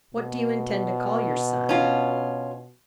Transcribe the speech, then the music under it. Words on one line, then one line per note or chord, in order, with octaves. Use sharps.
"What do you intend to call your son?"
B2
C#4 F4